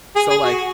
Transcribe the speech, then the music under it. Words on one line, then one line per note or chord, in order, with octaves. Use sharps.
So like
G#4
G#4
F#4